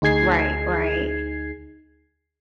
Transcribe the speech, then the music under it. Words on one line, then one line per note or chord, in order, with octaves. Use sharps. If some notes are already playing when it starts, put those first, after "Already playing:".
Right, right,
D2 D#4 G#4 G#6 C7